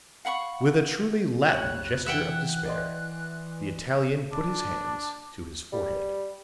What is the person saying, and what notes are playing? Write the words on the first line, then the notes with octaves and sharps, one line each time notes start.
With a truly Latin gesture of despair, the Italian put his hands to his forehead.
F5 F#5 B5 C#6
F1 C#5 F#6
E3 E5 F#5 G5
D5 D#5 C6
D4
G3